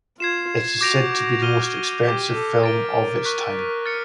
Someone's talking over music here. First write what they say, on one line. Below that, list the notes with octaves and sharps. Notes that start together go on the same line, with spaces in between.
It is said to be the most expensive film of its time.
F4 G#6 C7 E7
F#4 D6 G6 A#6 D7 F7
F6 A#6 D#7 G7
G4 D6 G6 B6
A4
A#4 A6 D7 G7
A#4
C#6 F#6 B6
F6 A6 C#7